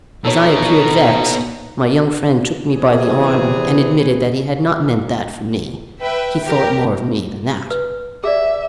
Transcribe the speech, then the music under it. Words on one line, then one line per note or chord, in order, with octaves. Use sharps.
As I appeared vexed, my young friend took me by the arm and admitted that he had not meant that for me; he thought more of me than that.
B2 D#4 A4 C#5
E2 C3 E3 G#4
B4 E5 G5
G4 A#4
B4
G#4 D5 E5